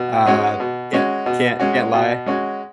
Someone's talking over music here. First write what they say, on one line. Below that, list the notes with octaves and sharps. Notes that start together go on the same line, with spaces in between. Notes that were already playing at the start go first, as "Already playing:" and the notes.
Uh, can't can't can't lie.
Already playing: B2
G#3 C#4 F#4
B2
G#3 C#4 F#4
B2
G#3 C#4 F#4
B2
G#3 C#4 F#4